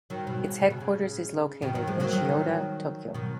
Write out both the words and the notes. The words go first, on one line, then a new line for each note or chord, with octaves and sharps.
Its headquarters is located in Chiyoda, Tokyo.
D#3 F#3
B2
C#3
C#3
B2
C#3
B2 D#3
D#3 F#3
F3 G#3
F#3 A#3
D#3 F#3
B2 D#3